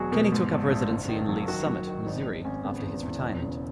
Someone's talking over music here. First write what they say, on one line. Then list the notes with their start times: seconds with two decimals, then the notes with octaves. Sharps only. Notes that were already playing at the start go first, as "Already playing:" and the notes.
Kenney took up residency in Lee's Summit, Missouri after his retirement.
Already playing: E1 B2 F#3 F#4 G#4
0.12 B2 A#4
0.32 G#2
0.51 A#1
0.70 A#1
0.90 F#1
1.09 D#3
1.29 F#3
1.48 D#3 F#4
1.67 F#3
1.87 D#3
2.06 G#1 D#4
2.25 G#1
2.45 G#1 C#4
2.64 C#3 B3
2.83 E2
3.03 E2
3.22 E1
3.42 C#3